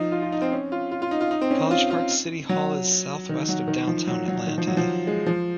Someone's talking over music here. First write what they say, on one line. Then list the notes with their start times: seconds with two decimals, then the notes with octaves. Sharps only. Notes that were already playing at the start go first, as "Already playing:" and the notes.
College Park's City Hall is southwest of downtown Atlanta.
Already playing: F3 D#4
0.12 F4
0.22 F4
0.32 D#4
0.42 C4
0.52 C#4
0.72 F4
0.91 F4
1.02 F4
1.11 D#4
1.21 F4
1.31 D#4
1.41 C4
1.51 C#4
1.71 F4
1.91 F4
2.49 F#3
3.29 D#3
3.49 F#3
3.68 D#3
3.87 F3
4.07 F#3
4.28 F#3
4.47 D#3
4.58 F3
4.67 F#3
4.77 F3
5.07 G#3
5.26 F3